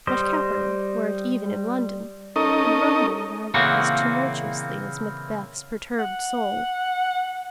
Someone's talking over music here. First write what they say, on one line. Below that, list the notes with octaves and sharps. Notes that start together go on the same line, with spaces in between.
What capital, were it even in London, could rumble around it as tumultuously as Macbeth's perturbed soul?
G3 C5 D#5
C#4 D#4 A4 A#4 D#5
A#2 C#3 E3 A#3 C4 F#4
F#5